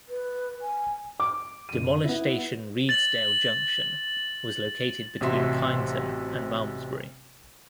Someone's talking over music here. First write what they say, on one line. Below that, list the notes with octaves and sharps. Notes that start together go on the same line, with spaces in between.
Demolished station Redesdale Junction was located between Kyneton and Malmsbury.
B4
G#5
D6
F#1 D#7
B3 E4
A6 F#7
A1 C3 F#4 E5 C6